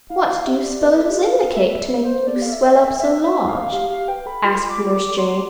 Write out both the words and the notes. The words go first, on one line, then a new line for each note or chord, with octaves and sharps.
"What do you s'pose was in the cake to make you swell up so large?" asked Nurse Jane.
E4 F5
F5
G4 E5
D5
B4 E5
B4
A4
G4
A4 F5
A4
B4 E5
C5
A4 D5
G4
A4 F5
E5
E5
E5
E5
F5
G4 F5
G4 F5
B4 G5
A4 B5
F4 C6
D6
G4
A4 D6
G4
C6